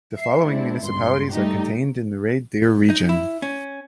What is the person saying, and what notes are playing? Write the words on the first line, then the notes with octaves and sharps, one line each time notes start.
The following municipalities are contained in the Red Deer Region.
E5 C7
G#3 C4 D4 E4
G1 C#2 G2 C6
G3 A3 D#4 G4
D#4
E4
C#4